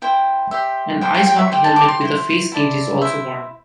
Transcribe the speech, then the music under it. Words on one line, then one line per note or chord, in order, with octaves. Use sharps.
An ice-hockey helmet with a face cage is also worn.
E4 C5 G5
G4 C5 E5
E4 C5 G5
G5
G5
E5
G4 C5 G5
A5
D6
C6
E4 C5
E4 A4 D5
E4 C5 E5